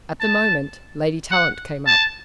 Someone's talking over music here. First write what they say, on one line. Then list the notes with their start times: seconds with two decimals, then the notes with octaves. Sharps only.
At the moment, Lady Tallant came up.
0.20 A5
1.31 F#5
1.87 A5